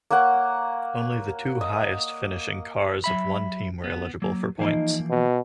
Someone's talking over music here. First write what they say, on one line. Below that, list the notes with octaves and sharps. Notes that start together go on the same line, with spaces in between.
Only the two highest finishing cars of one team were eligible for points.
A#3 A#4 C#5 F#5
D#5
F#3 E5 B5
B3
F#3 A#3
E3 F3 A#3 D#4
B2